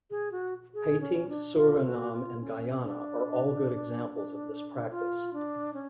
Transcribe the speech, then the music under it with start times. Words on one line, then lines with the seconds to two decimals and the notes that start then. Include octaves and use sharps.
Haiti, Suriname and Guyana are all good examples of this practice.
0.11 G#4
0.32 F#4
0.74 G#4
1.01 C#4
1.29 D4
1.56 F4
1.85 F#4
2.12 F4
2.41 C#4
2.82 D4
4.91 F4
5.33 D4
5.74 C#4